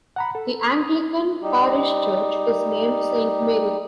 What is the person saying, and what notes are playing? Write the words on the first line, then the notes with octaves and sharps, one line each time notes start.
The Anglican parish church is named Saint Mary.
F#5 A#5 B5
A4
D#6
G3 D#4 G4